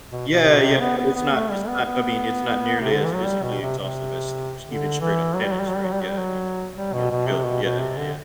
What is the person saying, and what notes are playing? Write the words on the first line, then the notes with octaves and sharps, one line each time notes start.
Yeah, yeah, but it's not it's not, I mean, it's not nearly as physically exhaustive as s even straight-up tennis, right? Yeah, I mean, it's it's more chill. Yeah, y y yeah.
B2
B2
C3
B2
C3
B3
B3
B3
A3
G3
B3
B3
C3
D3
E3
F#3
G3
B2
C3
C3
D3
E3
F#3
G3
F#3
G3
F#3
G3
F#3
G3
F#3
G3
F#3
G3
B2
B2
C3
B2
B2
C3
D3